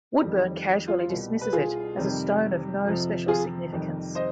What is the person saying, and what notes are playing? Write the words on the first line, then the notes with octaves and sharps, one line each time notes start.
Woodburn casually dismisses it as a stone of no special significance.
F2 D#3 G3
F4
F4
C2 B2 G3
B4
F4 G#4
F2 C3 D#3 G3
F2 C3 F3
F4 G#4
F2 C3 D#3 G3
C5 D#5